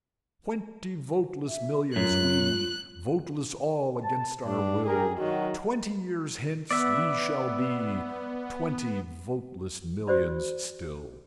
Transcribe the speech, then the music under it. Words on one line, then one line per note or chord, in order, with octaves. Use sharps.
"Twenty voteless millions we, Voteless all against our will, Twenty years hence we shall be Twenty voteless millions still."
E5
F#2 F4 F#6
A5
G2 D4
G4 G#4 A#4
D#3 F#3 F#4
B3 D5 E5 F#5
F#4 C5 D5 B5